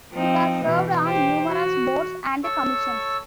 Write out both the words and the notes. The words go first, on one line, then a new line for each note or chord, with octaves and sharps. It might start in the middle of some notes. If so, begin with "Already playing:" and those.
He has served on numerous boards and commissions.
F3 C4 D#4
B2 E3
G4 C5
F#4
A4 C#5 C#6 E6